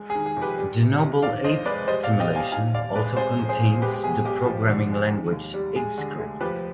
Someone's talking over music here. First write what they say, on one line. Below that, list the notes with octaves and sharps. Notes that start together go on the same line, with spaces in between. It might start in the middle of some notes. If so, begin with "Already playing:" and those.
The Noble Ape Simulation also contains the programming language, ApeScript.
Already playing: G#3
G#4
D#3
G#4
F2
G4 B4
G3
C3
C2
D#3 D5 F5
F2 C5 D#5
G#3 B4 D5
G3 C5 D#5
D5 F5
B2
D#5 G5
C2
F5 G#5
D#3 F5 G#5
D#2 D5 F5
G#3 B4 D5
C3 G#4 C5
F2
G#4 C5
G1
G#3 G4 B4
G4
B2 G#4
B1 G4
F3
D3
G#3
D#3
D#2
G3
G#3 G#4
D3
D2
F3 G4 B4